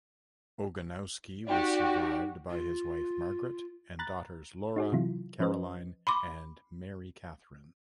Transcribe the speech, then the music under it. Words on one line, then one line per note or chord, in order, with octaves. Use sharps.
Ogonowski was survived by his wife Margaret and daughters Laura, Caroline, and Mary Catherine.
D#4 F#4 G4 D5
F4
A#5 B5 F#6 A6
D#4 F#4 G#4
C3 E3 F#3 E4 F4
F3 C#4 B4 C5 D#5
B5 C6 D6